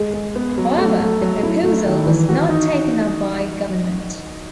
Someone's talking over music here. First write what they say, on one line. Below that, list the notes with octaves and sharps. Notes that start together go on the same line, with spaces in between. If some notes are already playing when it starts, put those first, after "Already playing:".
However, the proposal was not taken up by government.
Already playing: G#3
G#3
B3
F#3
A3
A3
F#3
E4
A3
D#3
E3
F#4
D#4